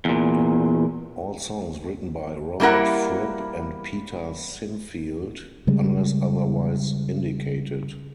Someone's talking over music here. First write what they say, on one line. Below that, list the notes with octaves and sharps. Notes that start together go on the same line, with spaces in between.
All songs written by Robert Fripp and Peter Sinfield, unless otherwise indicated.
E2 A#2
G3 A#3 E4 A#4 F#5
C#3 G3 G#3